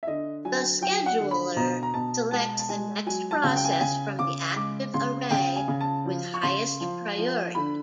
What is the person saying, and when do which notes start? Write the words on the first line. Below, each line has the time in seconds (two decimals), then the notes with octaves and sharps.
The scheduler selects the next process from the active array with highest priority.
0.03 E5
0.07 D3 D#5
0.45 F#3 G#5
0.81 F#3 G5
1.06 F#5
1.19 D3
1.31 B5
1.56 B2 A#5
1.83 A#5
1.94 B2 A5
2.31 G#3 A5
2.59 A5
2.69 G#3 G#5
3.06 F#3 G#5
3.31 A5
3.44 C#3
3.56 G5
3.64 G#5
3.72 G5
3.81 C#3 G#5
4.19 C#3 D6
4.55 G#3 D6
4.94 C#3 C6
5.31 C#3 G5
5.56 G#5
5.68 C#3
5.81 A5
6.05 F3
6.34 C#6
6.43 C#3 C6
6.81 F3
7.18 F3
7.55 D3 B5